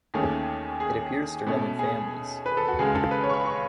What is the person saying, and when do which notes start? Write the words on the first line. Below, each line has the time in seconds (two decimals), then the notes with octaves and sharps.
It appears to run in families.
0.14 D#2 D#3 A3 C#4 G#4
0.80 G#4
1.47 B2 A3 C#4
1.79 G#4
2.46 B4
2.57 A4
2.68 F#4
2.79 C#2 C#3 G#3 G#4
2.95 A4
3.11 B4
3.23 C#5
3.29 C#6
3.33 B5
3.45 C#6